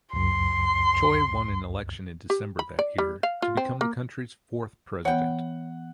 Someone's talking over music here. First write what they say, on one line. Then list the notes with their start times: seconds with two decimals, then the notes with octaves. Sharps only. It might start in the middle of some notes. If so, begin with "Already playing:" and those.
Choi won an election in December that year to become the country's fourth president.
0.13 C#2 F#2 C6
2.30 G4
2.59 B5
2.79 D5
2.98 G3
3.23 F5
3.42 F4
3.57 C4
3.81 A#3
5.05 E3 B3 C#5 F#5 G5